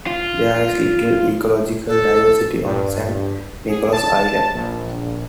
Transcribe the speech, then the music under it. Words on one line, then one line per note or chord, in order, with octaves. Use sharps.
There is little ecological diversity on San Nicolas Island.
F4
A4
G2
G#4
A5
A#1